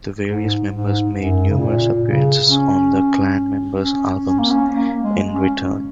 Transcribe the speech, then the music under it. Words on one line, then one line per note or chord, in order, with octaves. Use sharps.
The various members made numerous appearances on the clan members albums in return.
G#2
G#2
F#2
C#3
A#2
C#3
C#4
C#4
C#4
A#3
C#4
A#3
G#3
C#4